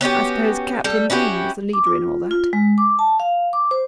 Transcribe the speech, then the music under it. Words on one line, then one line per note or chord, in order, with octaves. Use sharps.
"I suppose Captain Green was the leader in all that?"
B3 C#4 F#4 G4
G3 A4
C#4 E4 F#4 G4
D6
F4
F4
G#3
D6
A5
F5
D6
C5